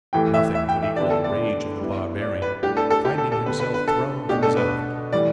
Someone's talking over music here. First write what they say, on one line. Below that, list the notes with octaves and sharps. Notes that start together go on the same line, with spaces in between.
Nothing could equal the rage of the barbarian finding himself thrown from his elephant.
A2 E3 A3 G4 G5
E5
E5
G5
E5
D3 B3 D4 G4 D5
A4
D5
G3 B3 E4
D5
B4
A2 G3 D4 G4
A4
A4
G4
A4
A4
D3 B3 D4 G4 B4
B4
B4
A4
B2 A3 D4 G4
A4
B4
A2 E3 G3 D5